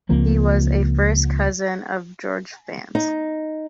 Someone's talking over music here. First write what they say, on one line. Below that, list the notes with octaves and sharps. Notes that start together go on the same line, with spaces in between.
He was a first cousin of George Fant.
C#2 F3 A#3 C4
D#4